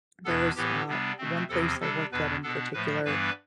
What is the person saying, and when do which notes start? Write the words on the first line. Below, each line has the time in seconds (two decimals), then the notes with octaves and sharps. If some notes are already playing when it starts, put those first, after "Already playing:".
there was, uh, one place I worked at in particular,
0.25 E2 B2 B3 D4 A4
0.56 A2 E3 B3 G4
0.87 C3 G3 B3 D4
1.18 B2 A3 C4
1.49 E2 C3 F3 C4 A4
1.80 C3 G3 D4 A4
2.12 E2 B2 B3 D4 B4
2.43 B2 B3 D4 A4
2.74 A2 F3 A3 B4
3.05 G2 E3 G3 B3 D4 B4